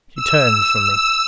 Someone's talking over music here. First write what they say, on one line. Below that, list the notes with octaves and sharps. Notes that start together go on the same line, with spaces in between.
She turned from me.
E6